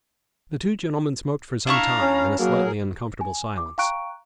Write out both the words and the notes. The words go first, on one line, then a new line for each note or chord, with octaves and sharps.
The two gentlemen smoked for some time in a slightly uncomfortable silence.
D4 E4 F5 A#5 C#6
C#4
F#3 A#3 G#4 A#4
G#5
D6
F5 G5 A#5 C#6 F#6 D7